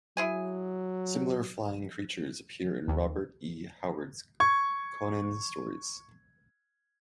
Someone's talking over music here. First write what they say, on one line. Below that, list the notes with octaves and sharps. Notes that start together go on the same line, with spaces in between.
Similar flying creatures appear in Robert E. Howard's Conan stories.
F#3 E4 G#4 G#5
D#2
C#6 G#6